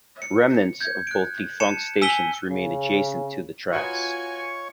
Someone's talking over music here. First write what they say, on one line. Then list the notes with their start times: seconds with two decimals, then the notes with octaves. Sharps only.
Remnants of both defunct stations remain adjacent to the tracks.
0.22 C#7
0.81 G6 G#6
1.07 F#6 D7
1.60 A5 C#7 E7
2.01 G#5 E6 B6 D#7 G7
2.50 C#3
3.72 D#4 F4 F#4 B4 C#5 G#5 C6 C#6